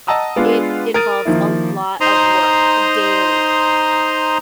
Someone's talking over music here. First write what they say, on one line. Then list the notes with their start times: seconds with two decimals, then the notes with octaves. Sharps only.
it involves a lot of work daily.
0.07 D#5 F#5 A5 A#5 D#6 E6
0.36 G#3 B3 D4 F4
0.94 A#4 D#6 A6 D#7
1.25 D#3 F3 A#3 E4
2.01 D#4 C5 A#5 C6 D#6